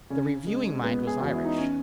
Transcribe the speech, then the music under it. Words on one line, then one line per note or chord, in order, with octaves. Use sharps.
The reviewing mind was Irish.
C#3 C#4
G#3
G#3 B3
G#4
E2 F#4
E4
D#4
C#4